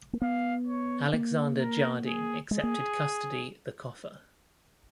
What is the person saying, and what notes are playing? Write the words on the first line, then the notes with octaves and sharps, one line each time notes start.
Alexander Jardine accepted custody the coffer.
A#3
B3 F5
C#5
A#3
A#4
G#4
G#3 G#4
A#3